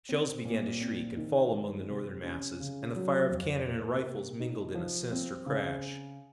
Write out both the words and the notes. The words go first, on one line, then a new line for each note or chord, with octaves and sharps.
Shells began to shriek and fall among the Northern masses, and the fire of cannon and rifles mingled in a sinister crash.
C4
A#2
C4
D#3
G#3
C3
C#4
C#3
F#3
F2
A#3
C3
D#4
F3
C4
C#3